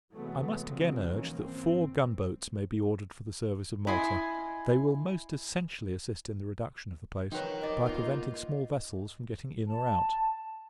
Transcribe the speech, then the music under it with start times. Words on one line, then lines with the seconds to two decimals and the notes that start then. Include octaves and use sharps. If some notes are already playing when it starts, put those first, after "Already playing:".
I must again urge, that four gunb-oats may be ordered for the service of Malta; they will most essentially assist in the reduction of the place, by preventing small vessels from getting in or out.
0.13 C3 E3 F#3 G#3 A3 B3
0.67 C#3 F3 F#3 G#3 A#3 C4
1.08 B2 D#3 E3 A#3 C#4
1.38 G#1 C4
3.87 E4 D#5 G#5 C6
7.32 F3 F#3 D#4 A#4 B4 G5
7.62 D#3 D5 D#5
7.86 A#3 B3 D#4 F4
9.68 A5